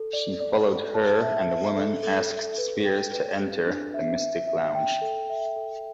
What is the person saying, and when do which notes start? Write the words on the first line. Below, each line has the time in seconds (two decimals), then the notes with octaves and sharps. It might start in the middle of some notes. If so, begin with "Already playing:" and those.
She followed her and the woman asked Spears to enter the "Mystic Lounge".
Already playing: A4
0.13 D5
0.40 D5
0.68 A4
0.94 A5
1.22 E5
1.49 E5
1.77 A4
2.03 A4
2.30 A4
2.58 B4
2.85 G5
3.12 B4
3.40 G4
3.67 D4
3.94 E5
4.20 E5
4.47 E5
4.75 G5
5.01 A4
5.30 E5
5.56 A4